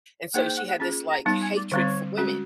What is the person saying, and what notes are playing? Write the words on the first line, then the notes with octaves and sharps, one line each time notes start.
and so she had this, like, hatred for women,
A#3 D#4 G#4 C5 F#5
G5
F#5
F#5
C#4 F4 G#4 A5
A#5
G3 B3 D#4 A5
G#5
D5
D3 G3 C4 C#5
G#3 C#4 F#4